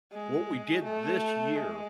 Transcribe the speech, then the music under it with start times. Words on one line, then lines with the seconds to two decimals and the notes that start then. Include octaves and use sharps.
what we did this year
0.13 G#3
0.84 A3
1.56 G#3